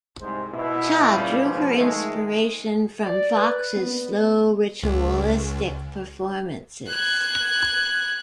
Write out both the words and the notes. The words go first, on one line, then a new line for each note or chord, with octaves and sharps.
Cha drew her inspiration from Fox's slow, ritualistic performances.
C2 G#2 G#3 C5
B2 E4
A#2 C#3 G3
G#2 B2 F3
D#3 G#3 A3
D5
B4
B3
C#2
F#6 G#6